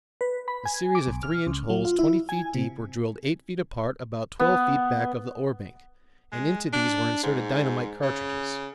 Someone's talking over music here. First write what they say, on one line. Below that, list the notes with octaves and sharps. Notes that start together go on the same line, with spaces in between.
A series of three-inch holes twenty feet deep were drilled eight feet apart, about twelve feet back of the ore-bank, and into these were inserted dynamite cartridges.
B4
B5
G#5
D6
B1
F6
C#2
F#3
F4
E4
G#5
C3
B3
G#3
D4
G#2
C#3